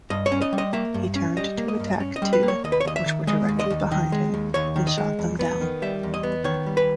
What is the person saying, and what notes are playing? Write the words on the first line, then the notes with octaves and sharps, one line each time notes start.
He turned to attack two, which were directly behind him, and shot them down.
G2 D#5
C#5
C#4
D#5
G3
D#5
A#3 E5
G2
C#4
G3 D#5
A#3
D#5
G2
C#4
D#5
G3
B4
A#3
C#5
D#2 D#5
B4
C#5
D#2 D#5
E5
D#3
G#3 D#5
D#2
D#5
D#2
D#3
G#3
D#2
D#2 C#5
D#3
D#5
G#3
E2
B3
D#3
G3 E5
E2
D#5
B3
D#3 C#5
G3
B4